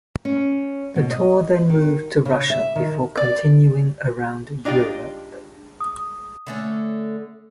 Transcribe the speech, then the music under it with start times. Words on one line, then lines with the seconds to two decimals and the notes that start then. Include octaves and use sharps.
The tour then moved to Russia, before continuing around Europe.
0.25 C#4
0.96 B2
1.11 D#5
1.69 D#3
2.25 C#3
2.50 E5
2.76 D#3
3.17 D5
4.65 D4 D#4 F4 G4 D5
5.80 D#6
6.47 D3 A3 C#4